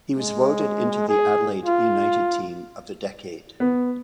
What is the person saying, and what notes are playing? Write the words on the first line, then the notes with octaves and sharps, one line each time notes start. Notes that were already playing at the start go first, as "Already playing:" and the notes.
He was voted into the Adelaide United Team of the Decade.
G#3
G#4
F4
B3